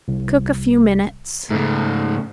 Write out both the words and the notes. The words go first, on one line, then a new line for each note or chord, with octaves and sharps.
Cook a few minutes.
C2
G#2 C#3 A3